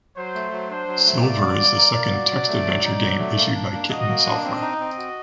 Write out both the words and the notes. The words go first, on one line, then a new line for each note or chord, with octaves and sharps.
Silver is the second text adventure game issued by Kitten Software.
F#3 C5
A3
F#3
D4 C5
F#3
A3
A#3 D5
F#4
A#3
A#4
A#3
F#4
F#3
A3
F#3
D#4
F#3
A3
A#3
D4
A#3
F#4 D#5
A#3
D4
C4 D#5
D#4
C4
F#4